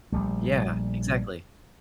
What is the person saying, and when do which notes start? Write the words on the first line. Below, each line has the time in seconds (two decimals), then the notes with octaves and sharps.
Yeah, exactly.
0.13 A#1 G3 A3